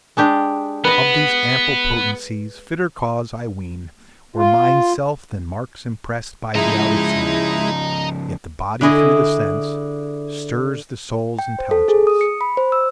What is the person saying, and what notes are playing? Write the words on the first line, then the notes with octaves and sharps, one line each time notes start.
Of these ample potencies Fitter cause, I ween, Were Mind's self than marks impressed By the outer scene. Yet the body through the sense Stirs the soul's intelligence.
G#3 D4 G4
B3 B4 D#5
F4
C#3 F3 G#3 E4 D#5 A#5
D3 E4 G#4 D#5
G5
C5
A4
G#4
D#6
C#7
B5
C5
E6